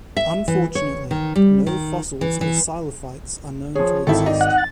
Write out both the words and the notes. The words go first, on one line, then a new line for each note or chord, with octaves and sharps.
Unfortunately, no fossils of psilophytes are known to exist.
E5
E3
C#5
D#3
G3
D#3
E3
E3
F3 G#4 C#5
G#1 D#3 E4 A4
D#4 D5
F#5
A6